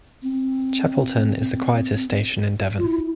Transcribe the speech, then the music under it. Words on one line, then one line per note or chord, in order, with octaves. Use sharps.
Chapelton is the quietest station in Devon.
C4
F4
E4